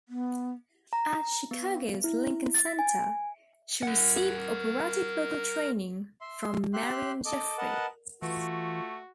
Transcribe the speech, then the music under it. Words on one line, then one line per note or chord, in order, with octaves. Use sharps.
At Chicago's Lincoln Center, she received operatic vocal training from Marion Jeffery.
B3
A#5
B3
E4
A6
G#5
A#4 F#5
E5 C6
G4 E5 C6 F#6
A4 D#5 D6
A#4 B4 D#5 F#5 A5
E3 A3 F4 F#4